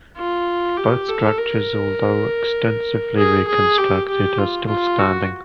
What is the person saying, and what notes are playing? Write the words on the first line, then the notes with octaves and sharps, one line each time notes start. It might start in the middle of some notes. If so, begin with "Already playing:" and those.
Both structures, although extensively reconstructed, are still standing.
F4
G4
A4
A#4
G#4
G#4
G4
G4
F4
F4
F#4